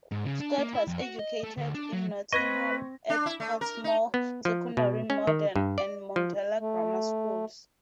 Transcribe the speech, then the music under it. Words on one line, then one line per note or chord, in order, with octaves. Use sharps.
Scott was educated in Nottingham at Cottesmore Secondary Modern and Mundella Grammar schools.
G#2
C#3
D4
A#3
E4
F2
F#4
D#5
A3
D2
D4
F#3
C4 B4 D#5 C#6 G#6 A#6
D4
E4
A3
A#4
D#4
B3
F3
B2
C#4
D#3
G2
D5
F3
A3